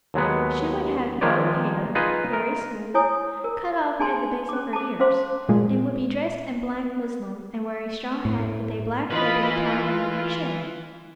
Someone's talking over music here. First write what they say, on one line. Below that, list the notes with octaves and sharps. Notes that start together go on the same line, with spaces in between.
She would have golden hair, very smooth, cut off at the base of her ears, and would be dressed in black muslin, and wear a straw hat with a black ribbon tied under her chin.
D#2 F#3 G#3 B3
D#3 F3 G#3 B4 C#5 D5
D#4 F4 G#4 B4 D#5
A#4
E4 C#5 G#5 D#6
A#4
D4 D#4 G#4 G#5 A5 C6
C#4 D6
A5 D6
C#4 C5 F5 C6 D6
A#2 G#3
A2
E3 F4 B4 D#5 B5
F4